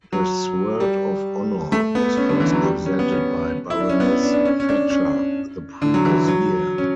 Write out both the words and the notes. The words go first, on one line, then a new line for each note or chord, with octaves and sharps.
The Sword of Honour was first presented by Baroness Thatcher the previous year.
F#3
G3
A3
B3
C#4
D3
E3
F#3
G3
C#4
B3
C#4
E4
D4
C#4
B3
D4
D4
C#4
C#4
D4
C#4
D3
F#3
E3
F#3
C#4